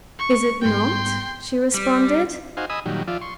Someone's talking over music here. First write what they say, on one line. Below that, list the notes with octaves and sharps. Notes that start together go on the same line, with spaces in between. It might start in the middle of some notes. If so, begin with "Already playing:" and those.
"Is it not?" she responded.
C#6
G#2 G3 B3 G5 C6
G3
D#4 F#4 C5 F5 G#5
D#5 G#5 B5 D#6 E6
A#2 D#3 F#3 G3
F3 F4 D5 E5
C6 C#6